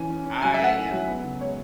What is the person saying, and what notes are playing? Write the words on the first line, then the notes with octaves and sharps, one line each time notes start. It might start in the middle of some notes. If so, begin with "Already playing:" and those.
I am
Already playing: E3 C#4 G#5
C#4
C#4
F#3 G#5
E5
A3 F#5
A2
F#3
B3
C#3
G#3 C#5